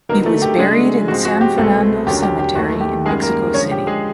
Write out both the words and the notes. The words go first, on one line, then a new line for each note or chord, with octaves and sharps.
He was buried in San Fernando Cemetery in Mexico City.
D3 F#3 A#3 B3 D#4 A#4
A3 A4
G4
C#3 F#3 G#3 A3 D4 G#4
G#2 F3 G#3 C4 F#4
F#4
G4
C2 B2 G#3 A3 C4 A4
D#2 D3 F#3 A#3 C#4 G4
G4
G4
D#2 D#3 F#3 A3 F#4
G4
F#2 D#3 G3 G#3 G#4
A#3 A#4
D3 F3 G#3 C#4 C#5
G4
G#3 G#4